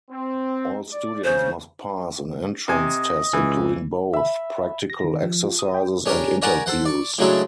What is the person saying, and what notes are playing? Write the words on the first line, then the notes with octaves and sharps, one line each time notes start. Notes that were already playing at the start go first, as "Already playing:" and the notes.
All students must pass an entrance test including both practical exercises and interviews.
C4
D5
C#3 C5
C3 D#5 G#5
C#2 E3
E5 B5
A#6
D#3
F3
F4
D#6
G5
C#4 D4 G4 A#4
A#4 C#5 D5 F#5 G#5 A#5
A4 C5 F#5
D5 C#6
A2 C#3 F#3 G#3 D4 A4